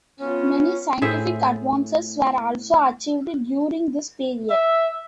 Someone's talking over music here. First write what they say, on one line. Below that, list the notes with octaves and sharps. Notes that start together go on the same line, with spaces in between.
Many scientific advances were also achieved during this period.
B3 C#4 F4
A2 C4 G#4 E5
E5